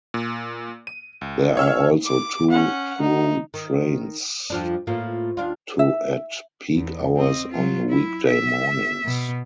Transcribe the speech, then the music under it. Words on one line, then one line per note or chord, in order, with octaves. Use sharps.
There are also two through trains to at peak hours on weekday mornings.
A#2
D#7
C#2
C#5 E6 F6
D6
C#4 F#5
D#4
D#3
F2 F3 D4
A2 F3 A#3
D#2 D4 F4
E5
E2
C4 D#5
F#3 F4
E4
E5
B2